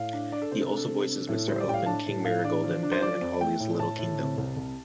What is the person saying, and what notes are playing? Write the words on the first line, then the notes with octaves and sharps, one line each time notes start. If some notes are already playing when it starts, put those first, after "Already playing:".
He also voices Mr. Elf and King Marigold in "Ben and Holly's Little Kingdom".
Already playing: A2 F5
D4
D4 D5
A4
C3 C5
A4
D4
A4
C3
D4
A2
G3 C5
D5
A2 G5
F5
D4 A5
A2
A2 F5
D4 D5
F3
D4
C5
F3 D5
F2
A3 G5
A2
A2 A5
A2
C3
C2
C2